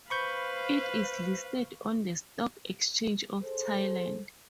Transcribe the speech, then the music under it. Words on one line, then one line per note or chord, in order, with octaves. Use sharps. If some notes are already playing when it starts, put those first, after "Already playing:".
It is listed on the Stock Exchange of Thailand.
B4 C5 F5 B5 C#6 G6
G#4 A4 C5